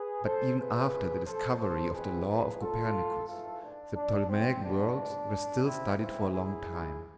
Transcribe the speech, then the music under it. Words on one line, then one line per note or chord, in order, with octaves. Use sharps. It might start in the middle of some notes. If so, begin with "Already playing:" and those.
But even after the discovery of the law of Copernicus the Ptolemaic worlds were still studied for a long time.
Already playing: G#4 B4
A4 C5
F2 C3 F3 G#4 B4
A4 C5
A4 C5
E2 B2 G#3 C4 G#4 B4
G#4 B4
F4 A4
G#2 E3 A3 F4 A4
D4
D4
C4
F2 C3 G#3 B3 D4
C4 E4
A2 E3 A3 C4 E4
E4 G#4